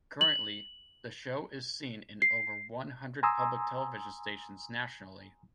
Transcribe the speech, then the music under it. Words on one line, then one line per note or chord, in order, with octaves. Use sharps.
Currently, the show is seen in over one hundred public television stations nationally.
F#7
C7
G#5 A#5 C6 D#6 E6